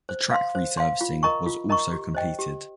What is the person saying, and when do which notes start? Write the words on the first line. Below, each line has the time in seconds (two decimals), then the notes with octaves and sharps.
The track resurfacing was also completed.
0.09 C5
0.31 F5 C6
0.55 C5
0.77 F5 C6
1.01 F4
1.23 A#4 D#5 A#5 C#6
1.46 F4
1.69 A#4 D#5 A#5 C#6
1.92 G4
2.15 C5 D#5 G5
2.39 G4